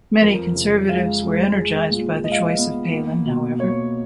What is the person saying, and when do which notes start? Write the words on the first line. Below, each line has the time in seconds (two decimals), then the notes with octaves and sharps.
Many conservatives were energized by the choice of Palin, however.
0.21 F2 A#4
0.56 C#3
0.89 G#3 F5
1.23 G#3
1.57 G#3
1.90 A#2
2.24 G#3 D#5
2.31 F5
2.38 D#5
2.58 B3
2.92 A#3
3.26 B2
3.59 A#3 C#5